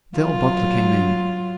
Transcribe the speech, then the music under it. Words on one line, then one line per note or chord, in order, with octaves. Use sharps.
The old butler came in.
F#3 F4